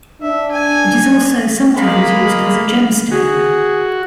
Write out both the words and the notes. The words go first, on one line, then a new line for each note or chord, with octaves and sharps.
It is also sometimes used as a gemstone.
D4 E5
G#5
G#3 A#3 F5 B5
F#4 G#4